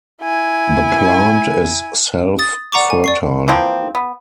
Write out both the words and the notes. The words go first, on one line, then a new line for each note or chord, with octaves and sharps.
The plant is self-fertile.
E4 G#5
D#6 A6
D5 F#5 A#5 C#6 D6
G#5
D5 C#6 C7
E3 F3 A#3 C4
B3